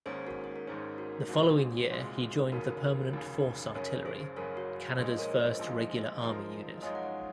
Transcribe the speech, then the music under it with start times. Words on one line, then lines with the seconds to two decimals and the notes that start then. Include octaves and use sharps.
The following year he joined the Permanent Force artillery, Canada's first regular army unit.
0.06 G#1 G#2 D#3 A#3 C#4 G#4 C5
0.26 F#4 A#4
0.44 G#4
0.56 A#4
0.67 G#1 G#2 D#3 A#3 C#4 G#4 C5
0.98 F#4 A#4
1.28 C2 A#2 G#3 C4 F#4
1.59 F#4
1.90 C2 A#2 G#3 C4
2.52 F1 D#2 C#3 F#4 A#4
3.13 F1 D#2 C#3
3.75 F#1 F#2 C#3 A#4 C#5
4.05 G#4 C5
4.36 F#1 F#2 C#3 A#4 C#5
4.57 F#4
4.98 A#1 A#2 F3 G#3 C5 D#5
5.19 A#4 C#5
5.39 C5 D#5
5.59 A#1 A#2 F3 G#3
6.20 F#2 F3 G#3 D#4 A#4
6.78 D#5
6.82 F#2 F3 G#3 D#4 A#4 C#5 F5
6.95 F#5
7.03 C#5 F5